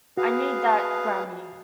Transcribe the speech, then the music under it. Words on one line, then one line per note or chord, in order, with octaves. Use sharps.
I need that Grammy.
F#4 G#4 B4 F5